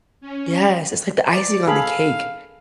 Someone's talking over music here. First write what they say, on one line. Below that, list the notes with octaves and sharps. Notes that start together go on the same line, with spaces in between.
Yes, it's like the icing on the cake
C#4
D5
G#4 A4 F5 B5